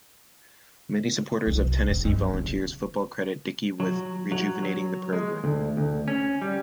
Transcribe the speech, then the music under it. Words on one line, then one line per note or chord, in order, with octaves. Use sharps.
Many supporters of Tennessee Volunteers football credit Dickey with rejuvenating the program.
C2 F#2
G2
G#3 C4
C#3
F#3
F#3
F#3
G#3
D2
D2
C#4
G3